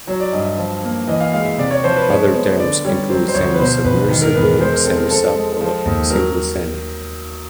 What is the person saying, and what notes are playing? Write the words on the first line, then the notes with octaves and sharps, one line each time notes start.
Other terms include "semi-submersible", "semi-sub", or simply "semi".
F#3 C#5
D5
G2 D#5
E5
F3
A#3
E3 D#5
F5
G#3 F5
E5
C3 D5
C#5
F3 C5
B4
G#3 C#5
B3 C#5
D3 D5
G3 C#5
F#3 C5
C5
D2 C#5
B4
B2 C5
E1 B4
D#3
A#4
E2 B4
G#3 C5
A#4
C4 A4
A#4
F3 A4
G#3
F3
D#2
F#3 A#4